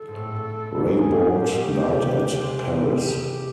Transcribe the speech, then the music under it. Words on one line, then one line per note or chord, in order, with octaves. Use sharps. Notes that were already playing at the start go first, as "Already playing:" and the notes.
Reybaud died at Paris.
Already playing: A4
G#2
A2
G#4
A#2 G4
B2
C3
C3
G#3
G4